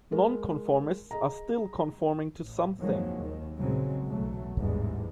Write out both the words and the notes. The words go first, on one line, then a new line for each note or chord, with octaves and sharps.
Non-conformists are still conforming to something.
G#3 A#4
G#4 D#5 A#5
A1
F2 D#3 F3 F#3 G#3 A#3
D#2 D#3
A#1 A#2 C#3 F#3 G#3 C4
B1 E2 F#3 A3
A1 E2 G#2 D3 G3 G#3